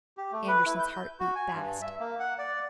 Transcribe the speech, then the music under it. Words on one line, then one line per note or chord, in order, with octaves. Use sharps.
Andersen's heart beat fast.
G4
A3
B4
E4
G6
F#4
G#5
G2
E5
A#3
F#5
D5